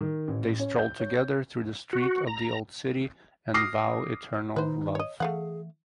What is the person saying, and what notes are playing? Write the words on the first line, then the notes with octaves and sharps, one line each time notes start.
They stroll together through the street of the old city and vow eternal love.
D#3
A1
C#4
G6
C#5
F#4
A#5
D6 D#6 F6 A#6 C7
D#3 D#4 B4 C5
C#5 D#5
E3 A3 G#4 F5 F#5